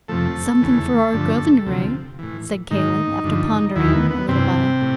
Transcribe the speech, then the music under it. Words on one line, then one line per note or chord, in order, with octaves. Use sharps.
"Something for our Governor, eh?" said Caleb after pondering a little while.
F2 C3 F3 A3 A4
E2 C#3 E3
G2 D3 F3
D2 C3 F3
A2 E3
G#2 D#3 D#4
G2 D3 F3
D#2 D#3 E3 E4
B3
B3
G2 C3 E3 C4
A2